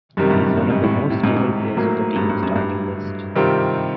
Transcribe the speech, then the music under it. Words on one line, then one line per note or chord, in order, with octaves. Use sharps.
He is one of the most stable players of the team starting list.
F#2 C3 D#3 G3
G2
F#2
G2
G#2
A2
A2
G#2
G#2
A2 F#3 A#3
G2
G2
F#2
G2
C3 D#3 G3 C4 F4